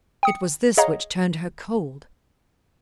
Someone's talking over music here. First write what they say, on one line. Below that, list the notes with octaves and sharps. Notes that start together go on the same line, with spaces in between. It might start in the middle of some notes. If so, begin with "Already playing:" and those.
It was this which turned her cold.
G5 D#6 C#7
G#4 C#5 D#5 F5 F#5 A#5